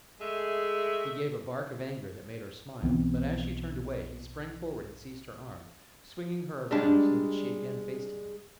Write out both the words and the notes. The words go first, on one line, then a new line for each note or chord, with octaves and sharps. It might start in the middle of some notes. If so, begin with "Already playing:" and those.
He gave a bark of anger that made her smile, but as she turned away he sprang forward and seized her arm, swinging her around so that she again faced him.
G#3 A3 G#4 E5
B1 E3 B3 C4
G3 G#3 D4